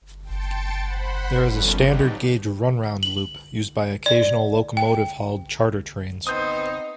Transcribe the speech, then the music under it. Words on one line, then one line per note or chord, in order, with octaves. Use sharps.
There is a standard gauge run-round loop used by occasional locomotive hauled charter trains.
G5 A5 C6 A6 C#7 D7
C5 F#5 B5
B2 D3 D#3 F3 G3 C#4
F3 F#3 B3 D4 D#4 G4
F#7
D5
G5
B3 C4 D#4 C5 D#6 G6